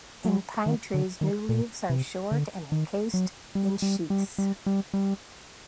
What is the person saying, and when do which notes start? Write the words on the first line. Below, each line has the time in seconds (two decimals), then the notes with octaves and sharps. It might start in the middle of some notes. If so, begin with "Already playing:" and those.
In pine trees new leaves are short and encased in sheaths.
0.25 F#3
0.66 D#3
0.94 D3
1.21 D#3
1.49 A#2
1.90 C3
2.31 D3
2.72 D#3
3.14 F#3
3.55 G3
3.82 G3
4.10 G3
4.38 G3
4.66 G3
4.94 G3